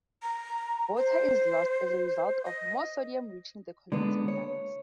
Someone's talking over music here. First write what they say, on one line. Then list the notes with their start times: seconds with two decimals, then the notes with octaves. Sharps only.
Water is lost as a result of more sodium reaching the collecting ducts.
0.22 A#5
0.97 C5
2.45 D#5
3.92 D3 G#3 A#3 B3
4.28 C#5